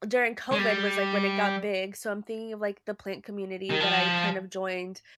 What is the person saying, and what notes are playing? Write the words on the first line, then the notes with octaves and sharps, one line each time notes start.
during COVID was, like, when it got big, so I'm thinking of like the plant community, that I kind of joined
G#3
G3
D#3
F3